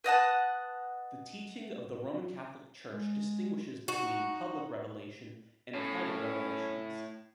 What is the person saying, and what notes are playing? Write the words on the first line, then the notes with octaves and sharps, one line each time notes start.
The teaching of the Roman Catholic Church distinguishes between "public Revelation" and "private revelations".
B4 D#5 F#5 A5
G#3
D#4 F#4
A2 C#4